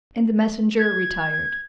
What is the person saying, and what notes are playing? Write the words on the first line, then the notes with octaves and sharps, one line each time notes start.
And the messenger retired.
G#6